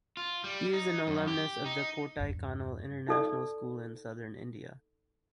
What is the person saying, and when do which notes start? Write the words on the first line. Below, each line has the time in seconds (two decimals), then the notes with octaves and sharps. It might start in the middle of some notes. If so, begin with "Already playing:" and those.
He is an alumnus of the Kodaikanal International School in southern India.
0.17 F4
0.44 G3
0.73 D#4
1.07 F#2
1.28 G4
1.66 D#4
2.16 E2 G2
3.08 D#4 A4 D5